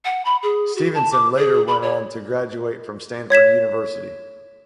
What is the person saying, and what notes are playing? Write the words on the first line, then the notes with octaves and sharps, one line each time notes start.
Stevenson later went on to graduate from Stanford University.
F#5
B5
G#4
F#4
A5
D6
G#4
B5
C#5
C#5 G#6 B6 E7